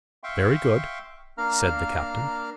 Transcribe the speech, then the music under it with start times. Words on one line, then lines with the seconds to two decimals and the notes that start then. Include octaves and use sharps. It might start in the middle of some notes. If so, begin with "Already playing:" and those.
"Very good," said the captain.
0.23 E5 F5 G5 C6 C#6
1.38 A#3 D4 A#4 F5 A#5 F6